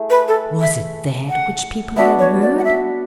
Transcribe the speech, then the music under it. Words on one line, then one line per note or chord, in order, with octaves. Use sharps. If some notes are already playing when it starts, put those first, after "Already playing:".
Was it that which people had heard?
Already playing: A3 E4 G#4
B4
A4
E5
F#5
B3 D4 F#4 E5
C#5
D5
F#5
E5